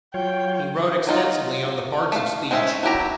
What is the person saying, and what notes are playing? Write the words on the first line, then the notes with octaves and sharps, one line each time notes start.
He wrote extensively on the parts of speech.
F#3 F4 C#5 G5
F#3 D#4 F4
A3 F5
G#3 C4 C#4 A#4 E5
F#3 E4 G4 A#5